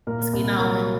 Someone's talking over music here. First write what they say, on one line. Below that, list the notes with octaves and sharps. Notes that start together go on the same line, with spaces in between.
you know?
A#2 A#4
C2 A#4
F#3 A#4